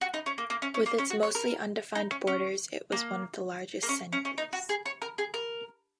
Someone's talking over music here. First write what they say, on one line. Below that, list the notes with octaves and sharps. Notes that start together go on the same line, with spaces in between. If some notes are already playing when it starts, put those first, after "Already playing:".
With its mostly undefined borders, it was one of the largest seigneuries.
F#4
D#4
C#4
A#3
A#3
C#4
C#4
A#3
C#4
F#4
C#5
A#4
D#4
C#4
C#4
A#3
A#3
C#4
C#4
C#4
D#4
F#4
G#4
C#5
A#4
G#4
A#4